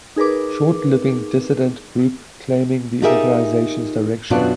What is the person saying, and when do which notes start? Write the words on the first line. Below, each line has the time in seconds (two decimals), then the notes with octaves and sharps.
Short living dissident group claiming the organisation's direction.
0.16 D#4 G#4 A#4 B4 D6
3.02 D#4 F4 G4 G#4 A#4 E5
4.30 F#2 B2 B3 D4 F4 F#4